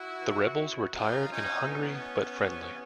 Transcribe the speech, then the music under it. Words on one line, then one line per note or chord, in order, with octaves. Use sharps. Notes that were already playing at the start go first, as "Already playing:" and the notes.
The rebels were tired and hungry but friendly.
Already playing: E4 F#4
C#3 E3
C3 D#3 F#3 D#4 F4
C#4 D#4
A2 E3 B3 C#4
C3 E3